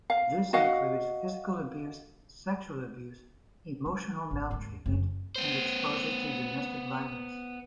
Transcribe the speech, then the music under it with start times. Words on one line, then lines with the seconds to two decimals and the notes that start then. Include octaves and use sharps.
This includes physical abuse, sexual abuse, emotional maltreatment, and exposure to domestic violence.
0.10 F5
0.53 F#4 D#5 F5 F#5
3.86 G#3
4.31 G#1
4.51 D#2 G#2
4.86 F#1
5.36 B3 C5